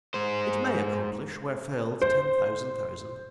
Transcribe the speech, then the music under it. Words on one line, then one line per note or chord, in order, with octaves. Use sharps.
It may accomplish where failed ten thousand thousand.
G#3 C5
C5